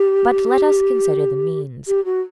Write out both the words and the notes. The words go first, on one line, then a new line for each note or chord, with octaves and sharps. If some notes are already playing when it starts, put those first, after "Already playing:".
But let us consider the means.
Already playing: G4
G4
F#4